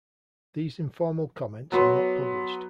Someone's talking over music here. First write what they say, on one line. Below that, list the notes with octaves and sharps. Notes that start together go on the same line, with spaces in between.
These informal comments are not published.
F#3 B3 C6